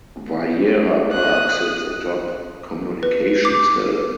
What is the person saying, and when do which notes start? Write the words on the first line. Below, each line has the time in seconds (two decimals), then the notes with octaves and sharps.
Vieira Park sits atop Communications Hill.
1.12 D#6 F#6
3.03 B4
3.45 D6